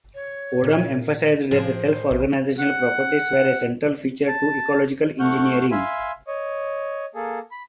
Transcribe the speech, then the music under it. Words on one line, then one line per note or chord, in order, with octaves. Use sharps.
Odum emphasized that self-organizational properties were a central feature to ecological engineering.
C#5
A#2
A2 F3 G#4 C5 G5
A#1
F#5
A5
A3 F#5 C#6 F6 G6
E5 F5 G#5 B5 C6
C#5 D#5
A#3 G#4 A4
B5